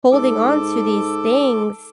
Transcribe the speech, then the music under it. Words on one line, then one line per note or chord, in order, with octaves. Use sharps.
holding onto these things
G#2 A4 D6